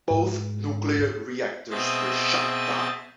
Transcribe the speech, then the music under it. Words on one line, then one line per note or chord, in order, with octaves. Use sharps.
Both nuclear reactors were shut down.
G#2
B2 C4 G#4 D#5 E5 A6